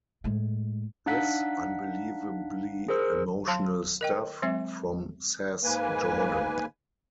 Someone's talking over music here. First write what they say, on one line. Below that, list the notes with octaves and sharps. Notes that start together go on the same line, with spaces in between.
This unbelievably emotional stuff, from Sass Jordan.
A2 G#3
D4 D#4 F5 F#5 F#6 B6
G#4 A#4 C5 E6
F#3 F5 A5 C6
A#4 D#5 G5
F#3 G#3 C4 E5
G#2 A#3 B4 G#5